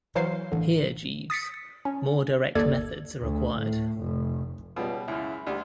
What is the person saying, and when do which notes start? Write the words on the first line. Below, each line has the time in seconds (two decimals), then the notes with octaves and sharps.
Here, Jeeves, more direct methods are required.
0.15 E3 F#3 C5 F5 C7
0.52 A1 D3
1.30 D#6 A6 B6 C#7
1.85 C#4
2.55 G1 D#2 A4 D5 G#6
3.20 D2
3.56 A2
4.00 F1
4.76 C#2 B2 G3
5.08 C#2 F#2 E4
5.47 D2 G3